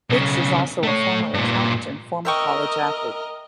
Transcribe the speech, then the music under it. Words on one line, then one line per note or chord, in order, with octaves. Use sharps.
Hicks is also a former accountant and former college athlete.
B1 C#3
A3 C#5
G2 A#2
A#4 D#5 E5 G5 C#6